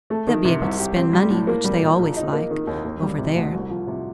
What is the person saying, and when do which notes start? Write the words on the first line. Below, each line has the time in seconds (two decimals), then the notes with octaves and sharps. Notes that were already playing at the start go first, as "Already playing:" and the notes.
They'll be able to spend money, which they always like, over there.
0.10 A3
0.27 D#3
0.45 C3
0.61 C2
0.79 G4
0.96 C4
1.13 G3
1.30 A2
1.47 A#3
1.64 G3
1.82 A#2
1.99 A#1
2.17 D#4
2.33 A#3
2.51 D#3
2.67 D#2
2.84 A#3
3.02 G3
3.18 C3
3.36 D2
3.53 C2
3.70 F3
3.87 C3